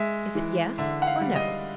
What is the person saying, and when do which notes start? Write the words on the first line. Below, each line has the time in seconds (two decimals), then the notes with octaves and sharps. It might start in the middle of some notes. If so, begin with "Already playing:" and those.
Is it Yes or No?'
Already playing: G#3 E5
0.35 E3
0.78 D3 E5
1.02 F#5
1.07 F5
1.21 G3
1.36 D#5